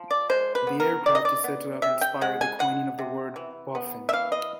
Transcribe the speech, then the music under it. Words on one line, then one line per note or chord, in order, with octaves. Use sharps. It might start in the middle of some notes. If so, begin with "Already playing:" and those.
The aircraft is said to have inspired the coining of the word "Boffin".
Already playing: F3
D5
G#3 C5
B4
B3
A#4
D#3 D5
D#5
D5
B3
C3 E5
G5
G#3 F#5
G#5
G#3 F#5
C3
E3
B3
E5
E3 F5
D#5